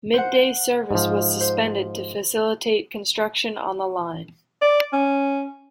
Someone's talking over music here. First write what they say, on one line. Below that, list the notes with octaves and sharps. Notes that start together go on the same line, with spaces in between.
Midday service was suspended to facilitate construction on the line.
C5 F#5
G#2 F3
C5
D5
C#4